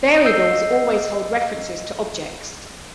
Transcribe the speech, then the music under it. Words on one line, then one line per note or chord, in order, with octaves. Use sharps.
Variables always hold references to objects.
D#5 E6 G6 C7